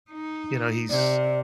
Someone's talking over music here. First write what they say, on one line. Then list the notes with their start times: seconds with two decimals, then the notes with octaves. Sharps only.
you know, he's,
0.11 D#4
0.90 C3 D5